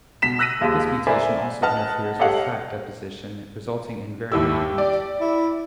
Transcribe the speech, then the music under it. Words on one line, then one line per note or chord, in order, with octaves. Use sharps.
This mutation also interferes with fat deposition, resulting in very lean meat.
B2 B6 E7
E6 F#6 A#6 B6 D#7
D#2 F3 G#3
A#4 C5 D5 E5 G#5 B5
B4 D#5 F#5 A5 F6
G4 A4 C#5 D#5 F5 F#5
D#2 E4 G4 E6
D5
E4